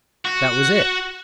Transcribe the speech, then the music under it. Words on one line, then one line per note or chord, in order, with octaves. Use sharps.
That was it!
F#4